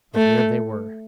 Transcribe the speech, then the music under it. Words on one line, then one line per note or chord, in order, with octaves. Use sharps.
But here they were.
A3